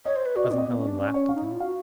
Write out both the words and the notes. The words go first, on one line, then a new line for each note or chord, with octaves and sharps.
Cousin Helen laughed again.
C#5 D#5
C5
B4
F#4 D5
D#5
C4 D5
D#5
B3 D5
C#4
D4
C#4 D5
C#5
F5
D#4
E4
F4
F#4 F5